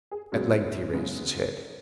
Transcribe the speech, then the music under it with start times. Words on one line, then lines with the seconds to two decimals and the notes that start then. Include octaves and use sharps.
At length he raised his head.
0.11 G#4
0.32 F#2 C#3 G#3 B3 F#4
0.93 F#2 C#3 G#3 B3